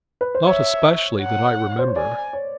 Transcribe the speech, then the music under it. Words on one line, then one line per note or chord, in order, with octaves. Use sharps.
"Not especially, that I remember."
B4
C5
C#5 E5
F#5
C5
C#5
D5 G#5
C#5